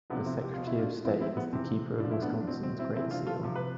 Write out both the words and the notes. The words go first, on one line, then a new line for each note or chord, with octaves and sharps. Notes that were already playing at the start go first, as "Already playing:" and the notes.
The Secretary of State is the keeper of Wisconsin's great seal.
C3 F3 B3 D4
C4 E4
G4
B2 F4
E4
D4 F4
A2 F3 C4 E4
C4 E4
B3
C3 E3 C4
A2 F3 D4
E4
B3 D4
D4
B2 C4
C4
C4 E4
C3 E3 C4 E4
D4 F4
F4 A4
C3 F3
B4